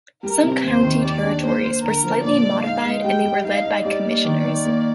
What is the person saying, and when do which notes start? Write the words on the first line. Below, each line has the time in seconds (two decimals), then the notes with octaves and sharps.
Some county territories were slightly modified and they were led by "commissioners".
0.23 G3 A#4
0.43 C3
0.63 D#2 C5
0.83 D#3
1.03 G4 D5
1.23 D4
1.43 A#3 C5
1.64 A#3
1.84 D3 A#4
2.04 F3
2.24 A#2 D5
2.44 G#3
2.63 D#4 F5
2.84 G#3
3.04 G3 G5
3.24 G3
3.44 D#4 F5
3.65 D#4
3.85 G3 D5
4.05 A#3
4.25 D#3
4.45 D#3
4.65 A#3